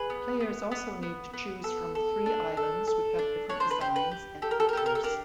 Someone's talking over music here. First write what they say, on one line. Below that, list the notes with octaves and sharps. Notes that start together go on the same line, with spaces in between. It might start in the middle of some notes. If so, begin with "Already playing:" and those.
Players also need to choose from three islands which have different designs and features.
Already playing: G#4 B4
B3
B3
B3
B3
B3
A4
A4
D4
A4
A4
D4
D4 C#5
C5
B4
G4 C5
B4
G4
G4 A4
A#4
A4
A#4
G4 A4
A#4
A4
D4 A#4